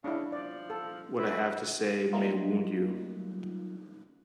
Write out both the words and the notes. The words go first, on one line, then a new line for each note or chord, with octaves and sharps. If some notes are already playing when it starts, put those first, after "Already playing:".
What I have to say may wound you.
C#3 D4 E4
F3 D5
A4
E4 B4
F#3 G3 A3 A#3 D#4 F4